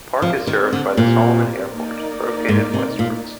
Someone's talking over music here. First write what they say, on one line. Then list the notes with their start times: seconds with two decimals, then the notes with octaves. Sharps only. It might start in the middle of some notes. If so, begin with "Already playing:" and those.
The park is served by the Solomon Airport, located westwards.
0.22 F3 C4 G4 A#4 D5
0.47 D#3
0.73 D3
0.97 A#2
1.74 A#3 D#4 A#4 D5
2.49 G#2
2.74 C3
2.99 A#2